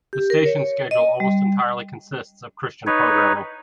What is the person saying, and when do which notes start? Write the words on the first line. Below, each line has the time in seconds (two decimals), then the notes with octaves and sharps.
The station's schedule almost entirely consists of Christian programming.
0.13 G4
0.30 A#4
0.46 C#5
0.91 D#5
1.20 G3
2.87 D#4 B4 C#5